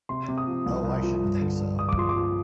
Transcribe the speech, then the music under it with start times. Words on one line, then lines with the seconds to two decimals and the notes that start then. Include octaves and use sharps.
Oh, I shouldn't think so.
0.09 C3 C6
0.28 C3
0.38 D#6
0.47 F3
0.66 C2
0.84 C2
1.03 F3
1.22 G2
1.41 D3
1.60 G2
1.79 G2 D#6
1.89 D6
1.97 F3 C6
2.09 D6
2.16 F3